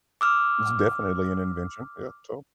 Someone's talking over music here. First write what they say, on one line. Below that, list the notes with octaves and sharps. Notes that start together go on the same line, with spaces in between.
It's definitely an invention, yeah, so
D6 E6 F6